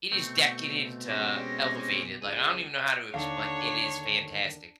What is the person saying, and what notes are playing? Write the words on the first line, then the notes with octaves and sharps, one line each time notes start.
It is decadent, t uh, elevated, like, I don't even know how to explain It is fantastic.
B2 A3 C4 C#6
G#3 C4 C#4 G4 A#6
C#2 G#3 D#7
D#2 D3 D#3 D4 A4 C#5 F5